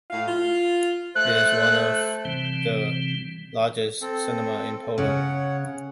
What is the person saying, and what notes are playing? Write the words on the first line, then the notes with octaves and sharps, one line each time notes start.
It is one of the largest cinemas in Poland.
A2 F5
F4
A3 C5 E5 F#6
C3 E3 G3 C4
C4 A4
C#3 C#5 F#5